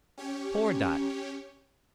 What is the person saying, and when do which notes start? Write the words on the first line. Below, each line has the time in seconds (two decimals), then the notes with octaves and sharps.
Poor Dot!
0.18 C#4 G4 C#5